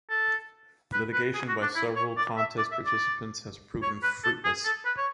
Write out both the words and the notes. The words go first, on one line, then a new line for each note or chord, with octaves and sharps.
Litigation by several contest participants has proven fruitless.
A4
B4
B4
G#4
F#4
D4
E4
C#5
D5
E5
D5
E5
D5
C#5
B4
A4
G#4
A4
B4
C#5